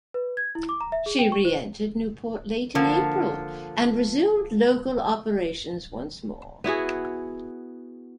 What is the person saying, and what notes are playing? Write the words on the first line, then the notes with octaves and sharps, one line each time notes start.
She re-entered Newport late in April and resumed local operations once more.
B4
G#6
E4
D6
A#5
E5
G#4
G5
C#6
C5
D3 F3 A#3
B3 E4 F#4 G#4